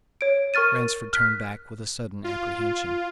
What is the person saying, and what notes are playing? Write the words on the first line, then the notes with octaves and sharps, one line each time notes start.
Ransford turned back with a sudden apprehension.
C#5 D7
A#4 C#6 F6 A6 D#7
F6 F#6 B6
F4